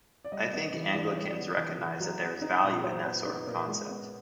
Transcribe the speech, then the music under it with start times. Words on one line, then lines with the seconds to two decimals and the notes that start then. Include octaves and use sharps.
I think Anglicans recognise that there is value in that sort of concept.
0.25 D5
0.32 G3 D#5
0.53 B3 D#5
0.74 E3
0.95 E3 D5
1.16 G3 C#5
1.37 B3
1.58 E3
1.79 E3
2.00 F#3
2.21 B3
2.42 D#4
2.63 A#2
2.84 F#3 C5
3.05 B3 B4
3.26 D#4 B4
3.47 A#2 A#4
3.68 G#3
3.89 B3